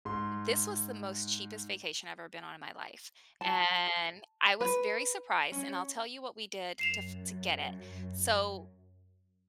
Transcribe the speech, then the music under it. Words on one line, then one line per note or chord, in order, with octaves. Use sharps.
this was the most cheapest vacation I've ever been on in my life, and I was very surprised, and I'll tell you what we did to f to get it. So,
G#2 C6
A5
B4
C#4
F#2 C7 E7 F7